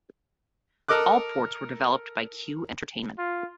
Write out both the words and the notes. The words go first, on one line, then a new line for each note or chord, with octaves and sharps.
All ports were developed by Q Entertainment.
A4 A#4 D#5 D6 F#6
F4